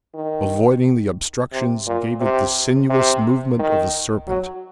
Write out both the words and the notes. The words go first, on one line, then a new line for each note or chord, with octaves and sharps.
Avoiding the obstructions gave it the sinuous movement of a serpent.
D#3
C3
A#2
C3
C3
D#3
F#3